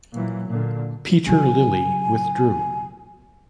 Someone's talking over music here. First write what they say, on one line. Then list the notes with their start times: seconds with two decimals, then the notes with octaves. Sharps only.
Peter Lilley withdrew.
0.13 A#2 E3 F#3
0.48 A#2 D3
1.27 C#3 F#3 G#5